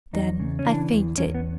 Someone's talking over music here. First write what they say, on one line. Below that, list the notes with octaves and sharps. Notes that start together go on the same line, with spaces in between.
Then I fainted.
E2 D#4
C#3
C#4
E3 D4
E2
E2 C#4
B3